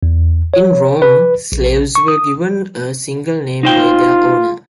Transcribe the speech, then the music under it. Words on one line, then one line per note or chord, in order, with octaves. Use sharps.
In Rome slaves were given a single name by their owner.
E2
C#5
B4
A#1
C#6
D#6
D#4 F4 C5 G5